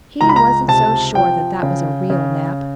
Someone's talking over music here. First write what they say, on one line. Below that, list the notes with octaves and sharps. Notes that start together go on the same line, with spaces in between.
He wasn't so sure that that was a real nap.
C#2 A#5
B5
A#5
C3 A5
F3 G5
C#3
C#3